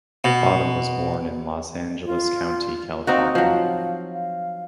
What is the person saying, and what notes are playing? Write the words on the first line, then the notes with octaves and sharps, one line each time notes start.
Bottum was born in Los Angeles County, California.
B2
F4
C4 D#4 F#4 F5
F3 F#3 F5
F5